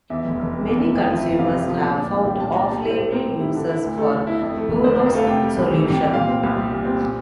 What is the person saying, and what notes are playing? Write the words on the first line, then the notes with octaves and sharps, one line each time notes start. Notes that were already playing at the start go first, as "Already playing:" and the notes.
Many consumers have found off-label uses for Burow's solution.
E2 E5
F1
F1
C3
E2
F1
F2 G5
F3
E5
G1
C3 F5
F2
F3
A#2
D4
C2
F5
G3 G5
A#2 A5
D4 A#5
G3 A5
E4
C5
A2
C4 A#4
G3
E4
D3
E4
D2
A3 A4
D3
E4
F2
A3
F1
D3 C5
A#4
F2
A#4
A3 F5
C3 G5
G3
C2
E3
C3
G5
G3
A#2 F5
C4
C2
G3
A#2
C4
A#2